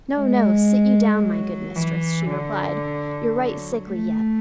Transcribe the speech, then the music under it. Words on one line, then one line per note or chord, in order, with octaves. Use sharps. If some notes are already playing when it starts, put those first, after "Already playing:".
'No, no; sit you down, my good mistress,' she replied; 'you're right sickly yet.
G#3
F#3
E3
D3
F#3
A3